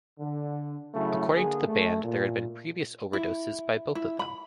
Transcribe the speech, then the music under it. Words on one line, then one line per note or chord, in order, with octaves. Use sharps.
According to the band, there had been previous overdoses by both of them.
D3
C#3 F#3 A3 E4
D3 A#3 G#4
A3
A#2
E4
E4
B5